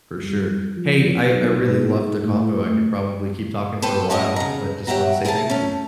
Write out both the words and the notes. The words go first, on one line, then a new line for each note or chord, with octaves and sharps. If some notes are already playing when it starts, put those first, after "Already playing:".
For sure. Hey. I I really love the convo. I could probably keep talking for a while, but just wanted to say thank you.
G3
F3
B1
G#2
A2
A3
A4 B4 C5 G5
G#2 F#3 C#4 G#4 D#5
C#3 A#5
G4 C#5 E5 F#5 A#5
G#4 A#4 E5 F5 A5
A3 C#4